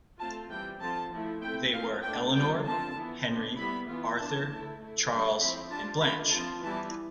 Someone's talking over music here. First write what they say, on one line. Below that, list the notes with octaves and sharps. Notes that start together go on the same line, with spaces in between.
They were Eleanor, Henry Arthur, Charles, and Blanche.
A3 C4 F4 A5
E3 G3 C4 G5
D3 F3 C4 F4 A5
F3 A3 E4
A3 C4 E4 G5
F3 A3 C4 F5
A3 D4 F4 G5
D3 G3 B3 D4 F4 G5
F3 C4 F4 A5
E3 B3 E4
F3 B3 D4
G3 B3 E4 B5
E3 B3 F4
E3 B3 D4 F4 A5
A3 E4
A3 E4
D3 G3 D4
F3 C4 E4 B5
G3 D4 F4 A5
A3 D4 F4 B5
F3 C4 F4 A5
E3 G3 B3 E4 A5